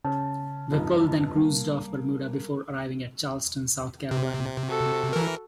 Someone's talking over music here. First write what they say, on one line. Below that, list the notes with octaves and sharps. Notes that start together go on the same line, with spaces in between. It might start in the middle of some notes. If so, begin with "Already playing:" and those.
Whipple then cruised off Bermuda before arriving at Charleston, South Carolina.
C#3 C#4 A5
F1 G2 D#4 F4
G3 A#3
C3
F#4 A4
E3 A#4